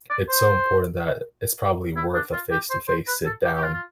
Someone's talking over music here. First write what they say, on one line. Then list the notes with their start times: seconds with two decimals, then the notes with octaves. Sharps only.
it's so important that it's probably worth a face to face sit down
0.10 D5
0.29 C5
1.96 E4
2.15 D4
2.33 F4
2.52 G4
2.70 C5
2.88 C5
3.08 B4
3.26 A4
3.45 G4
3.55 G4
3.63 F4
3.74 F4